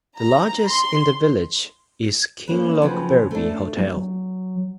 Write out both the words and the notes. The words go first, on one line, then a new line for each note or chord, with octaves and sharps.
The largest in the village is Kinlochbervie Hotel.
A#5
C6
A#3 C#4 B4
C#3 F3 F#3 C4 B4 C5
A3 D4
F#3